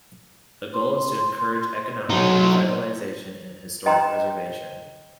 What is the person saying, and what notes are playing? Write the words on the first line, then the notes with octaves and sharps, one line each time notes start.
The goal is to encourage economic revitalization and historic preservation.
C6
F#3 D#4 C6
D#5 G5 A#5 C6